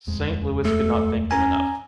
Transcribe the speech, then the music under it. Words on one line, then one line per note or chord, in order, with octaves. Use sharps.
Saint Louis could not thank them enough.
D#1 F2 G#3
A3 A4
C#4 G#5 A#5